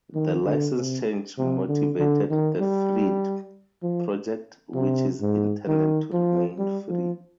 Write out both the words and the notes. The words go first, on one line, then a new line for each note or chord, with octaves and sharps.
The license change motivated the freedb project, which is intended to remain free.
D#3
D3
C3
C3
D3
D3
D#3
G3
F3
C3
G#2
D#3
F3
G3
F3